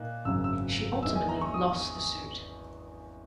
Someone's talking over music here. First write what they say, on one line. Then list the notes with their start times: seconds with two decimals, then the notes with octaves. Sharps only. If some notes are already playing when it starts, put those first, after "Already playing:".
She ultimately lost the suit.
Already playing: A#2 A#3 D#4 F#6
0.25 G#1 F#2 C#3 F#3 E6
0.44 E6
1.03 E2 D#3 G#3 E6
1.15 G#5
1.29 A#5
1.41 C#6
1.54 D#6